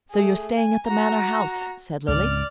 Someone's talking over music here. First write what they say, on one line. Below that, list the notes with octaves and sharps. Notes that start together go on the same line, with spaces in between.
"So you're staying at the Manor House," said Lily.
A3 G#4
G#5
F#4 A#5
C#2 G#2 D5 F6